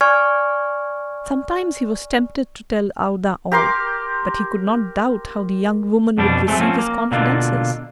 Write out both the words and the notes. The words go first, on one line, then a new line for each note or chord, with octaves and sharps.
Sometimes he was tempted to tell Aouda all; but he could not doubt how the young woman would receive his confidences.
D5 G#5 C#6 F6 G#6
G4 A#4 C6 D6
F2 B2 G3 D4
F#3 G#3 A3 C4
F3 C4 C#4
A#3
B2 D3 A#3 D4 F4